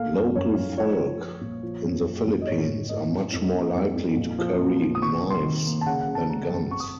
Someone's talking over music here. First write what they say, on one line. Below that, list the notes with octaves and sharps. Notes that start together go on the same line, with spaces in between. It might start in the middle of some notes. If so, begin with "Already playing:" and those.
Local folk in the Philippines are much more likely to carry knives than guns.
Already playing: A#2 A3 A#3 F5
F#2
F#2 C#5
F#2
F3 C#5
F3
F3
A#2
F3
F#2
A#3
F#2
D#5
A2 C#5
A2
A2 D#5
C4
F2
A#3
F2
F2
A#2
F3
A#2
A#3
D#6
C3 C#6
C3
C6
D#3
A#3
A5
C#3 F#5
F#5
C#3
A5
C#3 A#5
F#2
C4 C#6
D#6